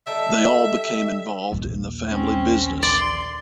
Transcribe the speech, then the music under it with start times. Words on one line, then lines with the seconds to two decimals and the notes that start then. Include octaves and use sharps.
They all became involved in the family business.
0.07 G3 D#4 A4 E5
1.52 A#1 D#2
2.08 C4 C#4
2.83 D5 C6